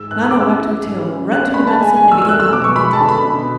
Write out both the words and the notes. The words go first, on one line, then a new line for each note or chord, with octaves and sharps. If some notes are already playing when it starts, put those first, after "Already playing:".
Nana wagged her tail, ran to the medicine, and began lapping it.
Already playing: G#2 E6
G#2 F#6
E6
D6
C#4
E6
E4
G#2
C#4
D4 F#6
G#3 B5
A5
G#3 G#5
G#5
D4
E6
E6
A3 F#6
E6
B2 D6
C#6
G#3 B5
A5
D3
B5
B2